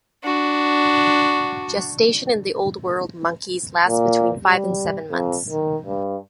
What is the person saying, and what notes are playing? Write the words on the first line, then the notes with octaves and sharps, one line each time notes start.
Gestation in the Old World monkeys lasts between five and seven months.
D4 F#4
A#2
G3
F2
D#3
G2